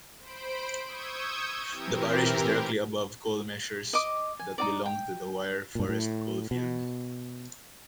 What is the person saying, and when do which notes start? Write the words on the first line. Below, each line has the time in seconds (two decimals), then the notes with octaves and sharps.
The parish is directly above coal measures that belong to the Wyre Forest Coalfield.
0.19 C5 B5 D7
0.84 C#6 D#6 E6 G6 G#6
1.70 E3 C4 G4 A#4
3.93 D#5 D6
4.39 G#5
4.58 D#4 F#4 D5
4.86 G5
5.75 G2 A#2
5.89 A2
6.51 B2